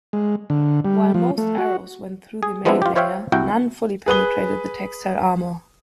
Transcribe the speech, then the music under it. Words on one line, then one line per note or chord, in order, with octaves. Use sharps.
While most arrows went through the mail layer, none fully penetrated the textile armour.
G#3
D3
G3
F3
A3
F#4
G#4
F3 G#3 B3 C4 D4 E4
F4 G4
F4 C5 C#5 E5 F5 G5
C2 E4 F#4 G5
G#4 B4 D#6 G7